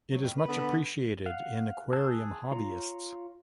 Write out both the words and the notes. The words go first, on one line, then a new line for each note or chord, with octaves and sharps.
It is much appreciated in aquarium hobbyists.
F#3
F2
B4
D3 B3
F5 F#5
G#4 A5 E6 F#6
F4 C#5 A#5